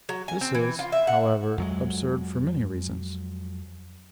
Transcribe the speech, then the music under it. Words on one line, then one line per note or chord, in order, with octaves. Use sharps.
This is, however, absurd for many reasons.
F#3
G#5
C4
E3
F4
E5
F#5
F2 F#3 G#3